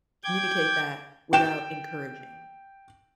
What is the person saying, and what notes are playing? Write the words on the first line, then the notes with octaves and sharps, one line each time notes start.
communicate that without encouraging.
G5 D6 G6 G#6
G5 E7